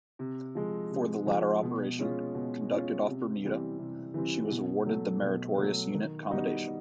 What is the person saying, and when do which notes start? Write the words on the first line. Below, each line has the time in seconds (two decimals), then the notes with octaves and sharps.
For the latter operation, conducted off Bermuda, she was awarded the Meritorious Unit Commendation.
0.19 C3
0.55 F3 G#3
0.91 C3
1.27 F3 G#3
1.63 B2
1.99 G#3 C#4 F4
2.35 B2
2.71 G#3 C#4 F4
3.07 C3
3.43 E3 G3 C4
3.79 C3
4.14 E3 G3 C4
4.51 B2
4.86 F#3 A3
5.22 B2
5.58 F#3 A3
5.94 D#3
6.30 G3 B3 D#4 F#4